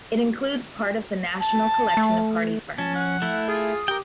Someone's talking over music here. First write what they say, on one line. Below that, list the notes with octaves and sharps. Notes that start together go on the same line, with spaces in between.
It includes part of the National Collection of hardy ferns.
A5
A3
F3 C#4 A5
F#5
A3 E4 E5
F4 G#4 D#6
G4 A#4 G5